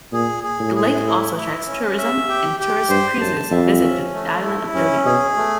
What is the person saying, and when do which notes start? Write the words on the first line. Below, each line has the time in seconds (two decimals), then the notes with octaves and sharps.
The lake also attracts tourism, and tourist cruises visit the island of Dodi.
0.13 A#2 G#4
0.44 G#4
0.60 A2
0.75 G#4
1.06 E4
1.36 E4
1.67 C#4
1.98 E5
2.28 G4
2.60 G4
2.90 G2 C5
3.21 F#2 A5
3.51 F2 E5
3.83 C#4
4.14 A3
4.44 E4
4.75 F#2 C#4
5.05 B2 G#4
5.36 A3